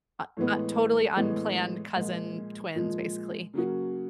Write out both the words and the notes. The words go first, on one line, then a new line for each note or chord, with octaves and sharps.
uh, a totally unplanned cousin twins, basically.
A2 E3 G#3 B3
A2 E3 G#3 B3
A#2 F3 G#3
A#2 F3 G#3
C#3 F#3 A#3 C#4 F#4